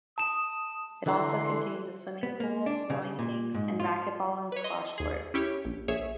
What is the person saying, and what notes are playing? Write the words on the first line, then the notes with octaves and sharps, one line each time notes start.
It also contains a swimming pool, rowing tanks, and racquetball and squash courts.
A5 D#6 E7
D3 E3 A#5 C6
B3
A#3
D4
C#3
A#2
G#2
F4
B4 C#5
D#5 C6
D#2 G#4
C#4 E4 G4 C#5
A#1
A#1 G#4 C#5 E5